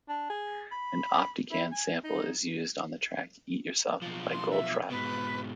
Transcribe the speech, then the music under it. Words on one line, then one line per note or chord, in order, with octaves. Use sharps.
An Optigan sample is used on the track "Eat Yourself", by Goldfrapp.
D4
G#4
B5
E4
G#5
D#4
B1 F3
C6
E5
G#2 B2 B4